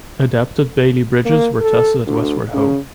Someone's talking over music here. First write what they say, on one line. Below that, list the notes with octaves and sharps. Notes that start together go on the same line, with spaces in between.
Adapted Bailey Bridges were tested at Westward Ho!
A#3
A4
D2
C#3